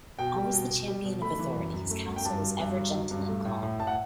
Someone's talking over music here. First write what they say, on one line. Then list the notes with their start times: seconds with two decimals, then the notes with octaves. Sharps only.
Always the champion of authority, his counsel was ever gentle and calm.
0.19 B2 G5
0.36 G3
0.53 B2
0.71 B2
0.88 G3
1.04 B2
1.22 A3 B5
1.39 E3
1.56 F#2
1.74 F#2
1.90 A3
2.08 F#2
2.16 G5
2.25 G2 A5
2.42 F#3
2.59 G2
2.77 F#3
2.94 F#3
3.11 G2
3.28 A3
3.45 A2
3.62 A2
3.79 A2 A5
3.87 F#5